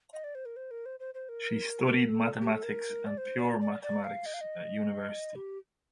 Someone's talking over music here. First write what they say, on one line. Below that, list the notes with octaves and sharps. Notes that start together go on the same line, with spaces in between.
She studied mathematics and pure mathematics at university.
D#5
D5
C5
A#4
C5
A#4
C5
C5
C5
A#4
A#4
A4
G4
A4
A#4
D5
C5
D5
D5
D5
F5
D#5
F5
D#5
G4